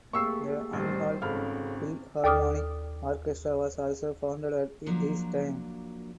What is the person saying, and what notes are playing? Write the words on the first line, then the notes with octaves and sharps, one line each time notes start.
The Anhalt Philharmonic Orchestra was also founded at this time.
A3 A#3 G4 G#4 C#6 E6 C7
A1 G3 C5
G#1 C#3 G#4 A4 F5 B5 F6
D#2 A4 D5 D6 D#6 F6
F3 F#3 A#3 D4 F#4